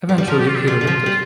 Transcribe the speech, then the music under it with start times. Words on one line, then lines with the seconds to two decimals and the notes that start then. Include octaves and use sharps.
Eventually he relented.
0.09 F3
0.18 G3
0.28 F3 A#4
0.39 G4
0.48 F4
0.58 D4
0.67 G3 F4
0.81 D3
0.87 F3
1.06 G3